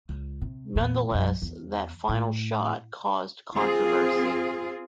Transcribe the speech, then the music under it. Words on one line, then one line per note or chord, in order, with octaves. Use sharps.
Nonetheless, that final shot caused controversy.
C#2
C3
E2 A#2
B1 F#2
E2
A2
C4 F4 G#4